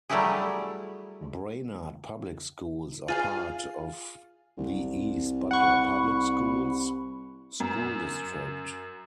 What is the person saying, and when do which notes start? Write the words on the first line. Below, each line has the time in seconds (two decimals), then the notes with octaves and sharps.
Brainard Public Schools are part of the East Butler Public Schools School District.
0.10 F#3 G3 A3 E4 G4 G#4
3.08 F4 G#4 F5
4.58 C2
5.51 F#5 B5 C#6
7.60 F#2